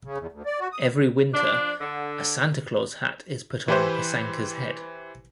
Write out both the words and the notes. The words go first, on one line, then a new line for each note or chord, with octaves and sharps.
Every winter, a Santa Claus hat is put on "Posankka"s head.
C#3
E2
D2
D5
F#4
D#6
F3 D4
D3
E3 E4 G4 B4 C5